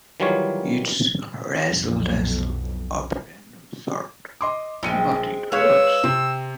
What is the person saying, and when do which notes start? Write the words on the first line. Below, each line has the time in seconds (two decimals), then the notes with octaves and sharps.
It's razzle-dazzle of a random sort, but it works.
0.20 D#3 E3 F#3 G3 F4 C#5
1.70 B1 F2
4.41 D#5 C6 D6
4.83 A#1 G#3 C4 C#7 D#7
5.52 G#3 B4 C#5 F5 E6 G#6
6.04 C3 C4